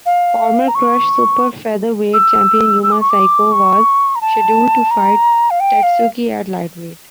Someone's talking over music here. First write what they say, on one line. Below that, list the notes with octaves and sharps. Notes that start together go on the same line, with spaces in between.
Former Krush Super Featherweight champion Yuma Saikyo was scheduled to fight Tatsuki at lightweight.
F5
A#5
C#6
E6
E6
D6
C#6
D6
C#6
A#5
A5
A#5
F5
G5
F5